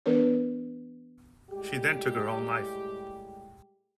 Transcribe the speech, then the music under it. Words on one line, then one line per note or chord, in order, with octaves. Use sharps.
She then took her own life.
E3 B3 D4 A#4 B4 C#5
A2 G3 G#3 G4